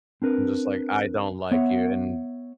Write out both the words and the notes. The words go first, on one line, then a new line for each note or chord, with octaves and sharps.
I'm just like, "I don't like you, and"
C4 D4 A#4 B4
B3 C#5 E5 F#5